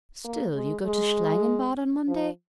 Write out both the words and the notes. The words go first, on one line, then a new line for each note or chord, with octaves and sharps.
'Still, you go to Schlangenbad on Monday?'
A#3
G#3
G#3
F3